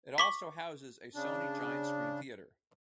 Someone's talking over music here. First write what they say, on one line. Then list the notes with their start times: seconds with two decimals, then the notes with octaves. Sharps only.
It also houses a Sony Giant Screen theater.
0.18 C#6 D6 B6
1.15 C#3 D4